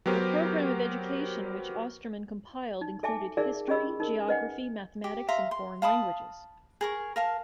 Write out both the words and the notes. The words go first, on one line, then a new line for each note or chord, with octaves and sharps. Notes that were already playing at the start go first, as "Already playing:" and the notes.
The program of education which Ostermann compiled included history, geography, mathematics, and foreign languages.
F#3 B3 G4 A#4 C5
D#4
A4 E5 G#5 A5 D6
D#4 G#4 A#4 D5 E5 F5
C#4 G4 G#4 D#5 B5 E6
D#4 A#4
B4 D#5 F#5 G#5
G4
E5 F5 A#5 C6
C6
F5 A5 B5 D#6
G#4 A#4 C#6
A#4 F5 A5